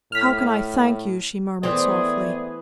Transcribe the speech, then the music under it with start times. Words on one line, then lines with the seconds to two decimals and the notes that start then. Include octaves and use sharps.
"How can I thank you?" she murmured, softly.
0.12 A2 F6 B6
1.63 E3 A3 B3 C4 G#4 D5